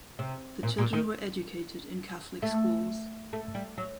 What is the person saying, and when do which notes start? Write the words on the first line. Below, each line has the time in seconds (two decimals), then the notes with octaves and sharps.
The children were educated in Catholic schools.
0.19 C3
0.63 A#2
0.78 A#2
0.93 D#3
2.43 A3
3.33 A3
3.55 G3
3.78 F#3